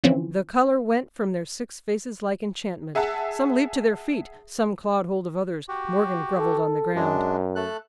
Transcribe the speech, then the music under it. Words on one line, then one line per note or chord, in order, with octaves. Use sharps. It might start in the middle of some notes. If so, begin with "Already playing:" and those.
The colour went from their six faces like enchantment; some leaped to their feet, some clawed hold of others; Morgan grovelled on the ground.
D3 E3 F3 C4 C#4 E4
G#4 E5 F#5 A5
F#4 G4
A4
F#2 G#3 D4
A3 A4 F#6